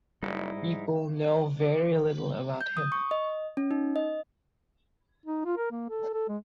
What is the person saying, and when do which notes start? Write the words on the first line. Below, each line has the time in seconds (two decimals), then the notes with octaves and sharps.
People know very little about him.
0.23 F#1 G3 D#4 E4
0.55 G#2
2.61 G6
2.77 D#6
2.92 C#6
3.11 D#5
3.57 C#4
3.71 D#4
3.96 D#5
5.26 D#4
5.45 F4
5.57 A#4
5.71 A#3
5.90 A4
6.14 A4
6.29 G#3